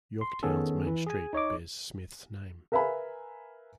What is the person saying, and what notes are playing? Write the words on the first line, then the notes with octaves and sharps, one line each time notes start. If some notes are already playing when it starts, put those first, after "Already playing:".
Yorktown's main street bears Smith's name.
C6
D#3 B3 C#4 G#4 A4
E3
G#4 G#5
D#4 C#5 D#5 D6
A#4 B4 E5 F5 G#5 B5